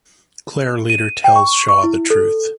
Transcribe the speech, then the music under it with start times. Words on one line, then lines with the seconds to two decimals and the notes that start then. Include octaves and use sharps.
Clare later tells Shaw the truth.
0.90 D#7
1.24 G5
1.36 C#6
1.69 C#6
1.83 E4
2.10 A4